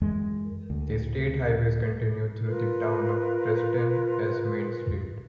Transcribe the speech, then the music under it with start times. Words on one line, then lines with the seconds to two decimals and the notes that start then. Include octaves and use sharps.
The state highways continue through the town of Preston as Main Street.
0.02 F#2 E3 G#3
0.70 D2
2.46 F4 A#4 B4